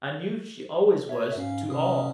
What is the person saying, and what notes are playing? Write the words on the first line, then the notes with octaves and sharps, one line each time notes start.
I knew she always was, to all.
F#4 C#5 E5
G#2 C#4 F5
C3 C#4 D#6